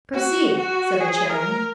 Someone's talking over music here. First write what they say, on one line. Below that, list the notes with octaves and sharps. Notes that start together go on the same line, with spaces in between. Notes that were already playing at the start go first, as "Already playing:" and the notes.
"Proceed," said the chairman.
F#4
F#4
G#4
A#4